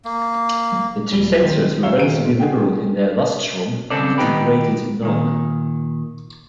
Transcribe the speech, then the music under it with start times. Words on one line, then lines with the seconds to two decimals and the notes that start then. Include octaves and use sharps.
The two censors were relatively liberal in their "lustrum" and degraded none.
0.05 A#3
1.11 D#1 G3 G7
1.40 C2 D#3 C5
1.83 F#2 C#5 E5 F5 E6 G7
1.98 F#2 D#3 F5 D7 D#7
2.23 G#3
2.40 G#4 F#5 G5
3.90 C#3 C4 A4 D5
4.18 D#3 B3 D#4 G4 B4
5.03 A#2 D#3